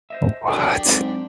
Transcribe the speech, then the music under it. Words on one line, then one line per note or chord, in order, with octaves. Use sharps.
Oh, what?
C5 D#5 E5
F#3 D4 F#4 G4 A4 A#4 G5
G#2 F#3 C4